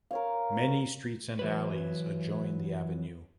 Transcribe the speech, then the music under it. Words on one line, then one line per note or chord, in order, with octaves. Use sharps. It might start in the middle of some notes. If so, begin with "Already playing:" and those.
Many streets and alleys adjoin the avenue.
A#4 C#5 F5
E3 F#3 B4